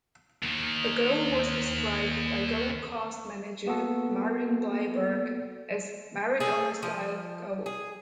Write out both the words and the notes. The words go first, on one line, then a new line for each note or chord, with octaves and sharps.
The goal was described by Gold Coast manager Miron Bleiberg as a "Maradona-style" goal.
D#2 D#3
A#3 B3 F#4 A4
G#4 A4
F3
G#4